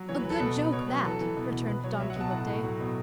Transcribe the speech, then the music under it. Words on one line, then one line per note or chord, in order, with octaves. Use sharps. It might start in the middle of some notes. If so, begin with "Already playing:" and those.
"A good joke, that!" returned Don Quixote.
Already playing: F#3
E3 C#5
B4
E3 A4
B2 B4
B2 B4
B2 C#5
F#3 B4
E3 A4
E3
B2
B2
B2 B4
F#3 C#5
F#3 E5
F#5
B2 A5
A2 F#5
A2
F#3
B2